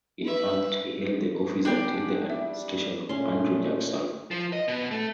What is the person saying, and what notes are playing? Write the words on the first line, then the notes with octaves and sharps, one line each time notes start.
In fact, he held the office until the administration of Andrew Jackson.
B4 E5
D3 B3 D4 D#4 G4 G#4 D5 G5
G3 E5
A#2 A3 C#4 C6
F3
D#5
B2
A3